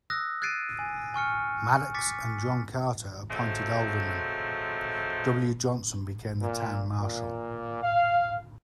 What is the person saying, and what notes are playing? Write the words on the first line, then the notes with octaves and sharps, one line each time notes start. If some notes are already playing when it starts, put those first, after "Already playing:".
Maddox and John Carter appointed aldermen; W. Johnson became the town marshal.
D#6 E6 F#6 A#6
F#6 G#6 A6 C7 D7 D#7
G#5
G#5 C#6 F6 C#7
D6 A6 B6 C#7
F3 F#3 G#3 A3 C4
A#2
A#2
F5